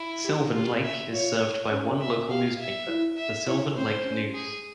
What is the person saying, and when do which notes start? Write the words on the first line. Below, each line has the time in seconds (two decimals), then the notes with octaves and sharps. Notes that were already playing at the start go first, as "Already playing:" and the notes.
Sylvan Lake is served by one local newspaper, "The Sylvan Lake News".
Already playing: E4
0.24 G4
0.53 F4 G4
0.83 E5
1.12 F4 C#5
1.70 C#4
2.00 E5
2.29 G4 F5
2.59 E5
2.88 E4
3.17 E5
3.46 E4 C#5
3.76 C4 C5
4.05 C#4
4.34 G#4